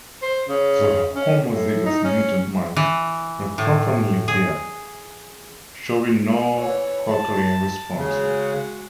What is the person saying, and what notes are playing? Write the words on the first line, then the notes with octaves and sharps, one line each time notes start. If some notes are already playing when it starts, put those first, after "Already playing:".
The homozygous mutant mice were profoundly deaf, showing no cochlear responses.
C5
C#3
C#4
A2
D#4
C#4
E3
A2
G#4
E3 C#5
A5
C#3 G#3 F#4